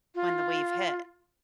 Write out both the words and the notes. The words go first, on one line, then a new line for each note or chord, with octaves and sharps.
when the wave hit.
F4